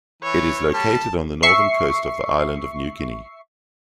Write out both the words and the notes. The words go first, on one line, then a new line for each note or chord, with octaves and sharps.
It is located on the northern coast of the island of New Guinea.
E3 C#5
G3 A5
E5 C#6 C7